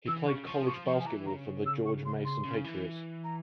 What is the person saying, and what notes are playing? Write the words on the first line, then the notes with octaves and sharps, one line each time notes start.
He played college basketball for the George Mason Patriots.
E3 E6
C#3 C#6
F3 C#6
C#6
F3 C#6
G#5
E3 A#5
C#3 A#5
E6
C#6
C6
C6
C#3
E3
A#5